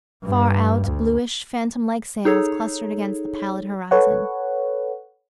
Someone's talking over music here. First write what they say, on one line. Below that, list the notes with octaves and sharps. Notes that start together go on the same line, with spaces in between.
Far out, bluish, phantom-like sails clustered against the pallid horizon.
G2
D2
D#4 G#4 A4 C#5
A4 B4 C#5 F#5